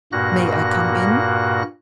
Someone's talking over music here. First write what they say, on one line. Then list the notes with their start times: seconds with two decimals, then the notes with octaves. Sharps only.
"May I come in?"
0.12 G2 A#2 A#3 F#4 F#6 A#6